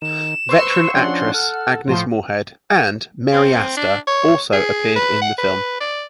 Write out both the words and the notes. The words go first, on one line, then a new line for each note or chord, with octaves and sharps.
Veteran actresses Agnes Moorehead and Mary Astor also appeared in the film.
D#3 E7
B4 C5 C6 C#6 E6
F3 C#4 D4 F#5 C6
A4 F6
A2 F3 C6
C4
D4
C#5
G#4
B4
F#5
B4
D5